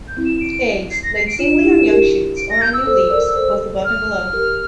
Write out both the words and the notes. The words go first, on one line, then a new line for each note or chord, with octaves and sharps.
Eggs: Laid singly on young shoots, or on new leaves, both above and below.
G6
C4 E4
E7
D7
C7
A#6
C7
D7
D4 F4 E7
E4 G4
G4 A#4
D7
A#6
G6
E6
A4 C5
A#4 D5
A4 C5
F6
G4 A#4